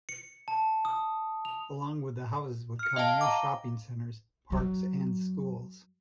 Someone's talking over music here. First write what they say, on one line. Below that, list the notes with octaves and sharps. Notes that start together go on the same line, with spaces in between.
Along with the houses would come new shopping centers, parks, and schools.
C#7
A5
D#6
F7
F6 C#7
D#5 F5 G5 A5
F5 A#5 D6
F#2 F#3